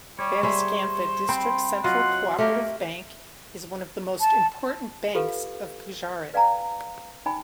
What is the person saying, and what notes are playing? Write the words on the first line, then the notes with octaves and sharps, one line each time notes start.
Banaskantha District Central Co-operative Bank is one of the most important banks of Gujarat.
G3 C#5
G3 G#4 C5 E5
C4 G5 B5 C6
F#3 F4 D#5 F#5 C6
A3 A#3 G4 A#4
A5
F4 G4 A4 B4 F5
B4 D5 F5 G5 G#5 A#5
D#4 G5 G#5 B5